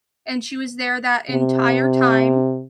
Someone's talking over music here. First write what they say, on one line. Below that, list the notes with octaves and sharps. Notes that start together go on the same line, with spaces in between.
and she was there that entire time,
C3